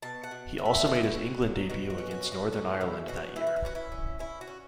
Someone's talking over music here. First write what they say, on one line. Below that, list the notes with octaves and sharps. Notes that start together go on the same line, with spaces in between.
He also made his England debut against Northern Ireland that year.
B2 A5
F#5
B2
A3
E5
B2 F#4
E4
F#4
B2
F#3
B2 F#4
F#4
C#4
F#4
B2
F#4
C#4 F#4
B2 E4
B2 F#4
E3 E4
F#4
E4
C#4 F#4
E4
C#4
C#4 E4
F#4
C#4